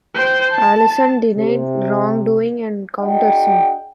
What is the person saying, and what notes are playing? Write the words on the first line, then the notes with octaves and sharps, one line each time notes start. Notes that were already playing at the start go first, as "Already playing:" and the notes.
Allyson denied wrongdoing and countersued.
C5 G5
A5
C3
D4 F#4 G#4 D#5 F#5 G5